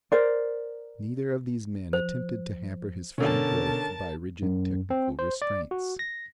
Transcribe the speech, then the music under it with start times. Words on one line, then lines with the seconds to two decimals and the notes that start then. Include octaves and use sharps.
Neither of these men attempted to hamper his free growth by rigid technical restraints.
0.12 A#4 C5 D5
1.93 F3 C5
3.18 B2 D3 B3 C#4 A#4 A5
4.42 F#2
4.90 C4
5.19 C5
5.42 D5
5.71 F#4
5.99 A#6